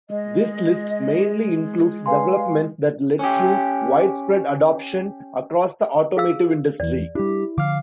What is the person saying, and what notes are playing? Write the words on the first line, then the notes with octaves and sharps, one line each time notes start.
This list mainly includes developments that led to widespread adoption across the automotive industry.
G#3 D#5
B4 F5 G#5 C6
C#4 G4
G#4 F5 E6
E2 E3 D5
G3 D4 E4 G4
D3 F3 F5 D6 F6